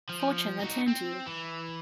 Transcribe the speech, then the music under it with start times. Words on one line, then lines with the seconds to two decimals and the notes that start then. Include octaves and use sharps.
Fortune attend you !
0.10 F3
0.59 D#4 F#4
0.88 C4
1.27 E3